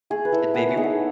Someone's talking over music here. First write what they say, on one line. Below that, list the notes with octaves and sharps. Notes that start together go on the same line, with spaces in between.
it made me wa
A3 G#4
B4
E4 A4
B3 B4
C#5
D#4 G#4
A4